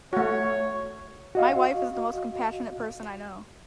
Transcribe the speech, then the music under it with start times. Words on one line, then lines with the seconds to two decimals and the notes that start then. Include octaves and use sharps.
My wife is the most compassionate person I know.
0.13 A3 F#4 C#5
1.35 F#4 D#5 F5